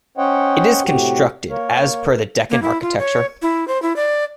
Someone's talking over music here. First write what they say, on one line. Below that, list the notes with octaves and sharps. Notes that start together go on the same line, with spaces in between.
It is constructed as per the Deccan architecture.
C#4 C5 C#5 D#5 F#5 G5
A2 C3 F#4 G4
A#3 A#4 C#5
A#4
A#3
E4
F4
C#5
E4
C5
E4
D5